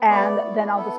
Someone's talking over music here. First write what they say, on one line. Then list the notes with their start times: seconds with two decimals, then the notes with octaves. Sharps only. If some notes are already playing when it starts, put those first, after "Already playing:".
and then I'll just
Already playing: B3
0.10 A3 D5
0.27 A3
0.44 E4
0.59 B3
0.76 B3 A4